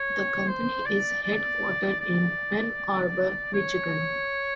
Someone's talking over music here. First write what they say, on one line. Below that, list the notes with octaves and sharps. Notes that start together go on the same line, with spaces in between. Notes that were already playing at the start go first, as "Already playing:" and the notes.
The company is headquartered in Ann Arbor, Michigan.
Already playing: C#5
C5
D5
D5
D5
C#5